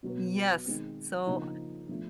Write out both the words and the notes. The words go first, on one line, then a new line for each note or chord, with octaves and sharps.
Yes. So,
B2 F#3 B3
D#3 G#3 C4
C#3 F3 A#3 D#4
F3 A3 D4